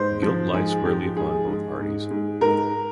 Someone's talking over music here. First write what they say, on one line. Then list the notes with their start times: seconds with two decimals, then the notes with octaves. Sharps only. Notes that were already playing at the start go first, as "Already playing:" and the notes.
Guilt lies squarely upon both parties.
Already playing: G#2 C5
0.22 F3
0.54 G#2 G#4
0.85 F3 G4
1.16 G#2 G#4
1.47 G#2
1.79 G#2
2.11 G#2
2.41 G#2 A#4